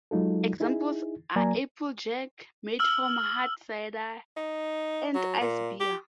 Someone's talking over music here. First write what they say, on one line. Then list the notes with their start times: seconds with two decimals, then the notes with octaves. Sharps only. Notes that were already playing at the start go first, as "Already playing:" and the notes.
Examples are applejack, made from hard cider, and ice beer.
0.11 F#3 G#3 D#4 F4 A4
0.60 D#4 E4 G#4
1.36 F#3 A#3 D5 G#5 A#5
2.79 E6 F6 F#7
4.37 D#4
5.15 F#3
5.41 A#2
5.80 G4